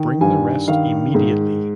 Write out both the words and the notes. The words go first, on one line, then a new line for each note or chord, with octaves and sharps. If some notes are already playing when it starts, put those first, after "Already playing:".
Bring the rest immediately.
Already playing: D#3
G2 G#5
D#3 F5
G#2